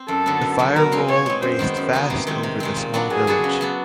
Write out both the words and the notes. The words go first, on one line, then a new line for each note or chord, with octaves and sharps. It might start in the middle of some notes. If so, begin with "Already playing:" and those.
The fire roll raced fast over the small village.
Already playing: C4
F#2 A4
D3 F#3 B3
F#2
D3 F#3 B3
B2 A#4
G#3 C4
B2 C#5
G#3 C4
F#2 C5
D#3 G#3 B3 D#4
F#2
D#3 G#3 B3 D#4
C3
D#3 G#3 C4
C3
D#3 G#3 C4
A#2
F#3 B3 D4 F#4
A#2 G#4
F#3 B3 D4 F#4
C#3
F#3 B3 D4